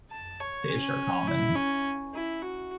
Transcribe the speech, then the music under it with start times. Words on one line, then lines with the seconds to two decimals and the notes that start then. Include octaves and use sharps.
Fish are common.
0.11 A5
0.40 C#5
0.69 C#4
1.27 E4
1.55 C#4
2.13 E4
2.42 F#4